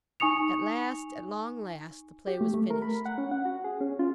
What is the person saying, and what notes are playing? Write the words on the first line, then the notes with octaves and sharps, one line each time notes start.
At last, at long last, the play was finished.
D#4 G#5 C#6 D#6 C#7 F7
G4
A3
A3
A#4
B5
F#5
C#4
F#5
F#4
G#4
C#4
F4